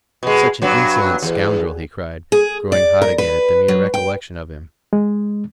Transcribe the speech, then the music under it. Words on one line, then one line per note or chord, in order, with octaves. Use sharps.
"Such an insolent scoundrel!" he cried, growing hot again at the mere recollection of him.
B2 G#3
G2 F#3
E2
G#4
D5
A#4
B4
F#3
G5
G#3